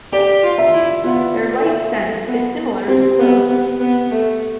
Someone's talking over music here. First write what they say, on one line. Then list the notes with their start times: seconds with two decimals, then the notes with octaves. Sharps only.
Their light scent is similar to cloves.
0.12 G4 D5
0.43 F4
0.58 E5
0.74 E4
1.04 B3 F4
1.51 A3
1.96 A3
2.27 B3
2.87 C4 G4
3.19 B3
3.49 B3
3.80 B3
4.10 A3